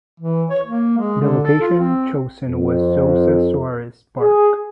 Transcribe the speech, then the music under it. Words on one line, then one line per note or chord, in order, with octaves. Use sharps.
The location chosen was Souza Soares Park.
E3
C#5
A#3
G#3
D3
A4
F4
C4
F2
G#4